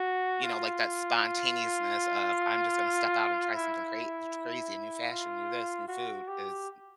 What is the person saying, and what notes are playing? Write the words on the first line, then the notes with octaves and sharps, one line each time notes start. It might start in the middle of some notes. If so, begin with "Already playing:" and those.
you know, like that spontaneousness of I'm just gonna step out and try something cra t crazy, a new fashion, new this, new food is n
Already playing: F#4
F4
E4
F4
F#4
G4